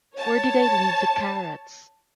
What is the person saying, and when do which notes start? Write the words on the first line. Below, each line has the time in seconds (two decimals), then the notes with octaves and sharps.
Where did I leave the carrots?
0.17 C#5 A5